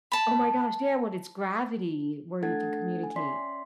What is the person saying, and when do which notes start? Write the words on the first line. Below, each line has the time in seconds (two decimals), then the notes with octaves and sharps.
Oh my gosh, yeah, when it's gravity where you can communicate.
0.12 A5 B5
2.43 A3 D4 A4 F#5 G#6 A6
3.04 G#5
3.16 C#4 D5 E5 C6 B6